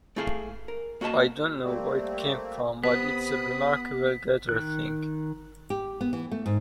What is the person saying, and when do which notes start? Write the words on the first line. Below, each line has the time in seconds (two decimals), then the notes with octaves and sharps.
I don't know where it came from but it's a remarkable guitar thing.
0.16 A3 E4 G#4 F5
0.68 A#4
1.01 A#3 F#4 D#5 G5 A5
1.65 G3 A3 A#3 C4
2.84 C3 B3 B5 D#6 B6
4.49 D#3 F#6
5.70 G4
6.01 B3
6.13 E3
6.31 A3
6.46 G#2